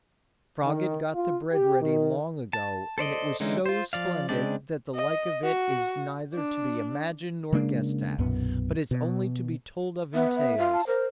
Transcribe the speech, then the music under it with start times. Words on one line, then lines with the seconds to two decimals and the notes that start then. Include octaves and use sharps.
The frog had got the bread ready long ago, and it was so splendid that the like of it is neither to be imagined nor guessed at, but is only to be told of in tales.
0.63 D#3
1.12 F4
1.52 G4
1.81 D#3
2.53 A5
2.98 A4 C5 D5 D#5
3.40 D3 E3 G#3 C#4 D#4
3.66 F4 C5
3.93 F3 D5 F5
4.29 C#3 G#3 C4 D4 D5
4.94 D#5
5.44 F#4
6.33 D4
7.53 C#3 G#3 A#3 D4
8.18 B1 F#2 A#2 B3
8.91 B2
10.14 B3 E5
10.36 E5
10.58 F4
10.74 A5
10.87 A#4 C5